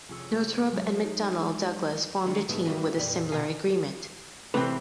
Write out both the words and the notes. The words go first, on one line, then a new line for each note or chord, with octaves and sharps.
Northrop and McDonnell Douglas formed a team with a similar agreement.
F1 C#4 F4 G#4 E6 C#7
F#3 G#3 A3
D#4
D#3 G#3 A3 D4 F4 C#5
A2 D3 G#3 A3 B3 D#4
G3 A#3 E4 F#4 B4
F2 A#2 G4 G#4 D5 B5
C2 B2 A#4 F5 G#5
A2 C3 E3 C4 B4